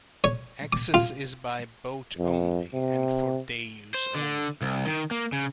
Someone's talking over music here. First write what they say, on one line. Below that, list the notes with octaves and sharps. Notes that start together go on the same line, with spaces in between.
Access is by boat only and for day–use only.
C#5
D6
F4
F2
C3
C5
D3
C2
D#3
A#3
C#3